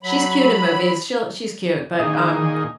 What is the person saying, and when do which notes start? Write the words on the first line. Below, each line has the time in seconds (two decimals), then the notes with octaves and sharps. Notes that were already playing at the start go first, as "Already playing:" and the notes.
She's cute in movies. She'll she's cute. But, um,
0.03 F#3 B5
2.00 A#2 D#3 D#4 G#4